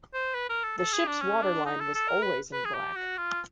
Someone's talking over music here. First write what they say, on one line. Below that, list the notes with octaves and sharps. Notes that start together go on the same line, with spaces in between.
The ship's waterline was always in black.
C5
B4
A#4
A4
A4
G#4
D4
C#4
D4
D#4
A4
A4
A#4
B4
B4
G#4
G4
F#4
F4